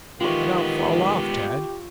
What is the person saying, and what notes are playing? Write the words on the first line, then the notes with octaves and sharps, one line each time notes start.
"But I'll fall off, Tad."
D#3 G#3 B3 F4 G4 C#6